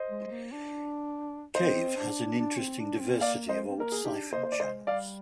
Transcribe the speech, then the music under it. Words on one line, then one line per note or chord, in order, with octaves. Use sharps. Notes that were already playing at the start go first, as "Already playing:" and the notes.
Cave has an interesting diversity of old siphon channels.
Already playing: C5 D#5
G#3
G#3
A#3
D4
C4 C5 D#5
D4
D4
C4
D4
C4
A#3 D5 F5
G#3 C5 D#5
C4
A#3 A#4
G#4
D4 D#4 G4
A#3 C5 D#5
C5
D5
G#3 C5 D#5
G3 D5 F5